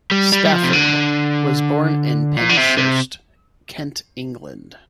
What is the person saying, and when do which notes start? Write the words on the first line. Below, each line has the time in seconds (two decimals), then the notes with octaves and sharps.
Stafford was born in Penshurst, Kent, England.
0.11 G3
0.32 G3
0.45 G3
0.52 F3
0.64 C3
0.73 D3
2.37 A#2
2.49 D3
2.57 C3
2.78 C3